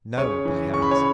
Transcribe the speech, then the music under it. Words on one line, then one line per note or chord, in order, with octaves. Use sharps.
No! by heavens!
C#3 C#5 C#6
E3
C#3 C#6
B5
C#5 C#6